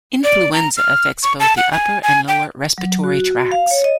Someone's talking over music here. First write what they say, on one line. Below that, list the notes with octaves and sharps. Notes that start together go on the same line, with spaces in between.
Influenza affects both the upper and lower respiratory tracts.
D5
A#5
F6
C#6
A5
F#5
G#5
G#5
G5
F#3
F#4
F5
C#5
D#5